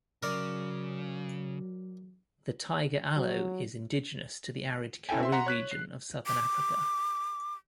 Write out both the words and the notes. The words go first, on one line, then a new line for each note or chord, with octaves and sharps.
The tiger aloe is indigenous to the arid Karoo region of southern Africa.
C#3 F#3 A#4 D5
F#3
C#4 E4 A4 G5 G#5
C4 E5 C6
F#5 A#5 C6 B6
C#5 F#6 B6
C7
D6